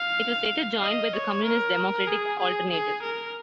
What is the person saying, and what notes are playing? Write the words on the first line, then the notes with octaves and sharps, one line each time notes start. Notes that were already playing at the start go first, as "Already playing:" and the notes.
It was later joined by the communist Democratic Alternative.
Already playing: F5
D#5
C#5
A#4
G#4
G#4
G#4
A#4